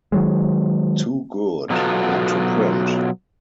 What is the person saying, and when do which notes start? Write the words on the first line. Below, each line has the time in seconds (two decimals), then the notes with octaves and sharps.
Too good not to print!
0.12 D#3 F#3 G#3
1.70 B2 F#3 B3 F4 A4